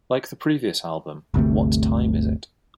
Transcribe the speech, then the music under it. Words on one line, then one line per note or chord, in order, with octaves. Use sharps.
Like the previous album, What Time Is It?
G1 D2 C3 A3